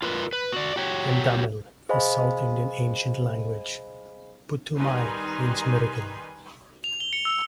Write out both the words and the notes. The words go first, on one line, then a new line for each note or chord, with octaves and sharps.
In Tamil, a South Indian ancient language, "Puthumai" means Miracle.
F4 A#4 B4
B4
F#4 D5
F#4 G4 C#5
G#4 C5 D#5 F5 G#5 B5
D#3 G3 D#4 B4 G#5 C6
F7
G7
C#7
E6